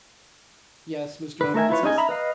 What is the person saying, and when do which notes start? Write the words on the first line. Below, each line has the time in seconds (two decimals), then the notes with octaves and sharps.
"Yes, Mr. Francis?"
1.41 D3 B4
1.54 A3 A#4 E5 G#5
1.69 E4 F4 B4 C#5
1.83 C#4 D#4 D#5 G#5
1.97 E5 A#5 B5
2.09 B4 D#5 F5